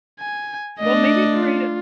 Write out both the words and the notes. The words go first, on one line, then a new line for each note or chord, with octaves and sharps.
Well, maybe create a
G#5
A3 D4 D#5
F4